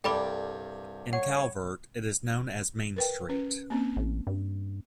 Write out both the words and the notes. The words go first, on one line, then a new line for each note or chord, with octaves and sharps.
In Calvert, it is known as Main Street.
C2 G2 A4 D5 G5 B5 D6
C#5 F#5
A#4 B4 G5
C#4 B4
A#3 C4 C#4
A1
G2